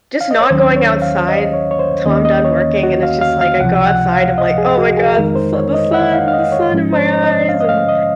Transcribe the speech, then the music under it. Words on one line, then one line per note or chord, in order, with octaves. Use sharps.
Just not going outside till I'm done working, and it's just, like, I go outside. I'm like, "Oh my god, the su the sun the sun in my eyes, and"
F5
D#5
C#5
D#2 D#3 F#3 C#4 C5
C#5
F5
D#5
C#5
C#5
C5
D#2 D#3 A#3 C#4 D#5
D#5
C#5
F#4
F5
F5
F5
C#2 C3 F3 F#5
F#5
F5
D#5
G#4
F#4
G#4
F2 D#3 G#3 D#4 A#4
C5
C#5
D#5
F#5
F5
F5
D#5
C#5
G#2 F3 G#3 C#4
C5
C#5
D#5
F5
D#5
F5
D#5